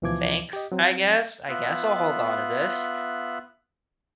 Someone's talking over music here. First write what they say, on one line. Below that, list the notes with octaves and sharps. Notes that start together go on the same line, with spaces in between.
"thanks, I guess. I guess I'll hold on to this."
D2 B2 E3 F3 D6 G#6
G4 D#5
F#3 C4
B3 F4 E5 F#6